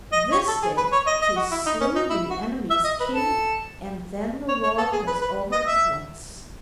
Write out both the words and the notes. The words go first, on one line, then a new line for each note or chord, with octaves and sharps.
This day he slew the enemy's king, and then the war was over at once.
D#5
C#5
A4
G#4
B4
C#5
D#5
D#5
F#4
E4
D#4
C#4
D#4
E4
F#4
E5
D#5
B4
A4
C#5
C#5
A4
G#4
B4
B4
D#5
E5